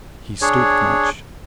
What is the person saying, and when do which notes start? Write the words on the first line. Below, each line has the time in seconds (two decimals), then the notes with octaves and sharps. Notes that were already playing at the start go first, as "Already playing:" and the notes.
He stooped much.
0.42 D4 G#4 C#5